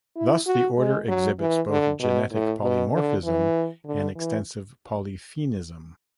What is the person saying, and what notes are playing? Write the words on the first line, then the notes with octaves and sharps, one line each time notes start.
Thus the order exhibits both genetic polymorphism and extensive polyphenism.
E4
F#4
G#3
F#3
E3
D3
B2
A2
B2
D3
E3
D3
E3